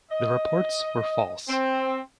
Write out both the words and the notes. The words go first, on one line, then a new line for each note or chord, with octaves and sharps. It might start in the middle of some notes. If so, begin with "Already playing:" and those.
The reports were false.
D#5
C4